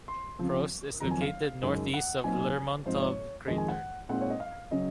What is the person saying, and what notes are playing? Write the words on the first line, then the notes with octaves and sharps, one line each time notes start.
Proust is located northeast of Lermontov crater.
C6
C#3 F3 C4
F2 D#3 F#3 C4 D#4 A#5
G#5
F5
F#2 C#3 G#3 D#4
F#5
A#2 F#3 C4 D#4 G#5
G#2 F3 C4 D#4 C5
C#5
F2 D#3 G#3 D#5
G#5
F#5
A#2 G#3 C4 D#4 F#5
C#5
D#5
F5
C#3 F#3 C#4 D#5